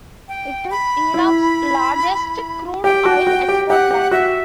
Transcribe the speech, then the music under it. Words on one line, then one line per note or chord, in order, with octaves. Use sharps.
It is Iraq's largest crude oil export line.
G5
B5
E4
G4 G5
F#4
F#4
G4
G4 F#5
G4
F#4 E5